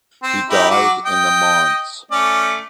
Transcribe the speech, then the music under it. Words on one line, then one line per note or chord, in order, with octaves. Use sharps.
He died in the manse.
C4
D#4 E4 G4
F#3 F#4 D6
D#5 G5
A3 C#4 D5